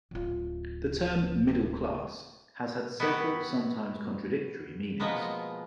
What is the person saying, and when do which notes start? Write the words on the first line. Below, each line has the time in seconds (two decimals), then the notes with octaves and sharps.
The term "middle class" has had several, sometimes contradictory, meanings.
0.11 D1 F4
3.00 B3 E4 F#4 G4
5.00 B2 F3 G#3 A#3 B3